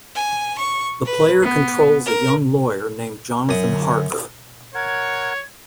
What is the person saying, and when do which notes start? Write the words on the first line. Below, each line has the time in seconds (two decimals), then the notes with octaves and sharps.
The player controls a young lawyer named Jonathan Harker.
0.14 G#5
0.57 C#6
1.05 B4
1.42 B3
2.05 A#4
3.49 F#2 D#6
3.69 D3
4.75 A#4 C#5 F#5 G#6